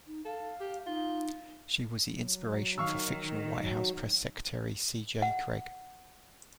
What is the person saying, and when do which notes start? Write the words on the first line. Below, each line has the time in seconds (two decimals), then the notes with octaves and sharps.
She was the inspiration for fictional White House Press Secretary C. J. Cregg.
0.07 D#4
0.25 A4 F5
0.60 G4
0.86 D#4 F4
2.10 F#3
2.78 D#3 F5 C#6 E6
3.55 F#3
5.22 F#5